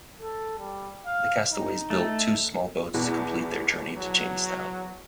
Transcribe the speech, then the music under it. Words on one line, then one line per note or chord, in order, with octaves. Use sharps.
The castaways built two small boats to complete their journey to Jamestown.
A4
G3
F5
D#4
A3
E2 B2
F#3